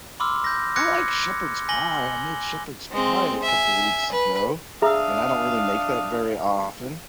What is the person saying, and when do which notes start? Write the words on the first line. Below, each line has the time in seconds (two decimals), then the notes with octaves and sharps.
I like shepherd's pie, I made shepherd's pie a couple weeks ago, and I don't really make that very often,
0.20 B5 C6 D6 E6 F6
0.44 G6 A#6
0.76 D6 E6 F#6 G#6 A#6 C#7
1.69 G#5 A#6 F#7 G7
2.91 G#3 C4
3.42 E5 G#5
4.12 B4
4.82 D4 G#4 E5 F5 A#5 D#6 E6